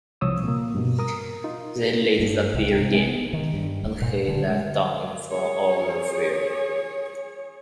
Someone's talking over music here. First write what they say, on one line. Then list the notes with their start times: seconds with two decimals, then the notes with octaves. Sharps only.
They let the bear in, and he lies down in front of the fire.
0.21 C2 F3 C#5 D#6 E6
0.44 A#2 A#3
0.75 G2 B2
0.99 A#4 D#6
1.44 D#4 F4
2.20 G2
2.54 C2
2.71 C3
2.94 G#3
3.07 B3
3.33 D#3
3.54 G2
3.83 D1
4.02 A#2
4.28 D3
4.48 G#3
5.31 G#4 C#5